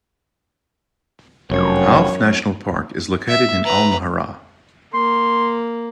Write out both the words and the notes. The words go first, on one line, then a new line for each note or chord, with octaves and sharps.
Hauf National Park is located in Al Mahrah.
F1 F#2 C#5
E5
B4 A#5
A#3 C6